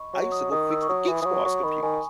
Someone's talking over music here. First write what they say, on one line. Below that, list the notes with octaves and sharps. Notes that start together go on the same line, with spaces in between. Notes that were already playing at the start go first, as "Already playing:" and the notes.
I used to go fix the Geek Squad's computers.
Already playing: D#5 B5 C#6
F#3 C#6
D#6
D#3 D#6
E6
C#6
F#3 D#6
E3 B5
E3 D#6
F#3 C#6
F#3 C#6
C#6
D#3 B5
D#3 G#5